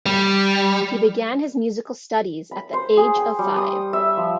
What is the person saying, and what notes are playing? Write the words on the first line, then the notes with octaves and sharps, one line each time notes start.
He began his musical studies at the age of five.
G3
B5
C5
G#4
G5
G3
D#6
E5
F3